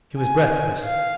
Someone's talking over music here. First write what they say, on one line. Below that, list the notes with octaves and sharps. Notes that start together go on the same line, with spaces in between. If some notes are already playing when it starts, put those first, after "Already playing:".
She was breathless.
G#5
F5